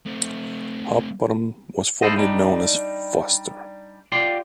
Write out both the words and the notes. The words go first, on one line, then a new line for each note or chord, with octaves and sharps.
Hop Bottom was formerly known as Foster.
A3 C4
E4 A4 C5 D#5
G3 D4 D#4
F4 G4 D5 C6